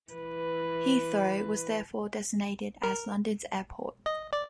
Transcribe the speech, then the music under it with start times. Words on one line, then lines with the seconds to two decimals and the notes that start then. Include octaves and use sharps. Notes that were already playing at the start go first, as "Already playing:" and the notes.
Heathrow was therefore designated as London's airport.
0.12 E3 B4
2.83 A#4
4.06 D#5
4.33 D5